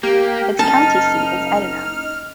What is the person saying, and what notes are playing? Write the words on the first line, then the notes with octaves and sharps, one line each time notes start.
Its county seat is Edina.
A#3 G4
F#1 D#4 A5 F6